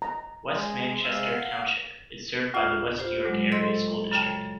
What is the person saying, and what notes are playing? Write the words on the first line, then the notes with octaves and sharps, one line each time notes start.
West Manchester Township is served by the West York Area School District.
A#5
G#3
C3 G#3 F5 E6
F#5
D2 A2 F4 F6
F4 G4 C5
A#2 F#3 G#3
A4 D#5 C6 E6 A6
F#2 C#3 G5 A5